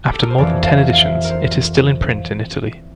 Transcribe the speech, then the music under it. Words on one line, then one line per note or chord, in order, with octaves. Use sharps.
After more than ten editions, it is still in print in Italy.
G4
A4
A#4
C5
F2 E3 D5
E5 F5
F5
E5
A#4
C5